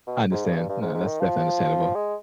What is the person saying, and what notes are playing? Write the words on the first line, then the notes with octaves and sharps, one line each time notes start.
I understand. No, that's definitely understandable.
B2
G#2
G2
G2
G2
G#2
G#2
D#3
F3
G#3